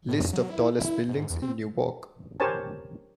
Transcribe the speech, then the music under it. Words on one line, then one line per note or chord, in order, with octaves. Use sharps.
List of tallest buildings in Newark.
A2
F2
F#3
E4
E4
G#2
E2
C4
G4 A#4 C5 C#5 G#5 A5